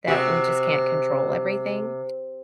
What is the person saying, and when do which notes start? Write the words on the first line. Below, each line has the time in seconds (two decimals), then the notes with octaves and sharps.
that we just can't control everything,
0.08 C3 F#4 G#4 E5